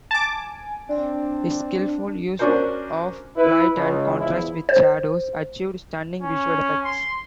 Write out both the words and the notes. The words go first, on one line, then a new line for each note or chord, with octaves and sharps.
His skilful use of light and contrast with shadows achieved stunning visual effects.
G#5 A5 D6
C4 D4
C#4 D4 F#4 A#4 C5
E4 B4
C#2
E2 F3 E4
C5
C#4
C6